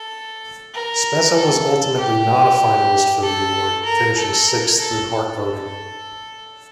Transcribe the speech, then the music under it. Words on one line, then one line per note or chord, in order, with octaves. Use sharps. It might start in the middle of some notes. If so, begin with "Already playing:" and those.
Spezza was ultimately not a finalist for the award, finishing sixth in Hart voting.
Already playing: A4
A#4
A4
G4
A4
A#4
A4
A#4
A4
A4